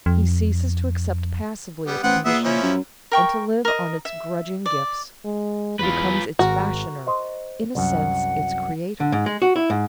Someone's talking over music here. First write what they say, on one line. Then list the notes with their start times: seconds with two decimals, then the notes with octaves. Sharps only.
He ceases to accept passively its conditions, and to live on its grudging gifts; he becomes its fashioner, in a sense its creator.
0.06 F2
1.87 G3 B3
2.03 A1 B3 C4 F#5
2.25 A#2 B3 G#4 E5
2.44 F3 C#4 E4
2.62 F#2
3.12 A#4 G5 C#6
3.65 A#4 D#5
4.05 E5
4.66 D5
5.25 G#3
5.79 E2 F4 B4
6.39 G#1 F#4 A#4
7.07 C5 D#5
7.75 C2 F#2 F#5
9.00 D3
9.12 G#2
9.26 G#3
9.42 F#4
9.56 E4
9.70 G#2